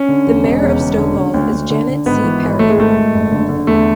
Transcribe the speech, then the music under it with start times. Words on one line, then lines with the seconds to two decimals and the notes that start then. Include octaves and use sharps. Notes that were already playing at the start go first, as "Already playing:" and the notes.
The Mayor of Stovall is Janet C. Parrott.
Already playing: C#4
0.09 D3
0.27 E2
0.44 E1
0.63 E2
0.80 E1
0.98 D3
1.16 D3
1.34 D2
1.52 D2
1.70 D3
1.89 D3
2.06 G#1 B3
2.24 E3
2.42 G#1
2.59 G#1 A3
2.69 G#3
2.78 G#1 A3
2.96 G#1
3.14 F#1
3.32 D3
3.49 D3
3.67 E2 A3